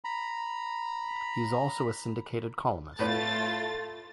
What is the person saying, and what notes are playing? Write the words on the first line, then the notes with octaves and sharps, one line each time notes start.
He is also a syndicated columnist.
A#5 B5
A2 A3 F4 B4 C#5 A6